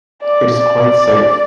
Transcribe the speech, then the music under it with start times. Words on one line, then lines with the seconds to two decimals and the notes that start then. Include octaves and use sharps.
It is quite safe.
0.22 D5
0.57 D5